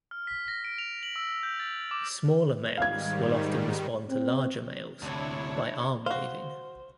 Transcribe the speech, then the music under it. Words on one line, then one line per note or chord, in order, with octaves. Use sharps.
Smaller males will often respond to larger males by arm waving.
F6
B6
A#6
D7
F7
F#7
E6
G6
A6
D6
G#2 D#3 G3 F5 G#6
C4
D2 C3 D4 E4 C#5
F#4 C5 F5